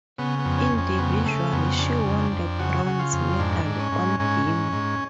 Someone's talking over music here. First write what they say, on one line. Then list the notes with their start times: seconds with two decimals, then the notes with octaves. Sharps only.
Individually, she won the bronze medal on beam.
0.18 C#3 B3
0.39 B3
0.45 F2
0.58 C#4
0.72 F2
0.78 C#4
0.98 C#3 B3
1.26 C#3 A3
1.52 F2 B3
1.79 C#3 D4
2.06 F2
2.18 D4
2.32 F2
2.59 C#3 F#4
2.86 C#3
2.99 F4
3.13 F2
3.39 G#2 D4
3.65 G#2
3.79 C#4
3.92 G#2
4.20 G#2 C#4
4.46 G#2
4.73 G#2